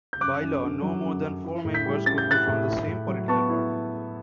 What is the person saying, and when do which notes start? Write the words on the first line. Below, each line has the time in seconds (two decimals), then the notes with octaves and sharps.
By law, no more than four members could be from the same political party.
0.13 G6
0.21 F#2 D6 F#6
0.42 F#2
0.63 D3
0.82 F#3
1.03 F#2
1.23 F#2
1.44 E4
1.65 A2
1.74 G6 B6
1.86 G3
2.06 C#4 A6
2.18 G6
2.26 E4 F#6 A6
2.47 A2
2.68 E4
2.88 A2
3.08 F#3
3.28 B3 A5 C#6
3.49 E4